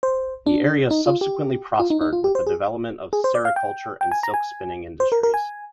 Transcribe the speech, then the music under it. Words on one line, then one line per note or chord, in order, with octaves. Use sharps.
The area subsequently prospered with the development of sericulture and silk spinning industries.
C5
D4
D#4
F4
G4
F4
D#4
D#4
F4
G4
C5
G#4
G#4
C5
D5
F5
G5
G5
G#5
A#5
G#5
C5
A#4
A#4
G#5